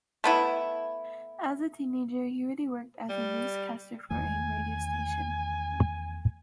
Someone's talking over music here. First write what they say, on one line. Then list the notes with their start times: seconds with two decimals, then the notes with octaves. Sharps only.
As a teenager he already worked as a newscaster for a radio station.
0.24 A3 B3 E4
3.09 G3
4.10 E2 D#3 A3 G#5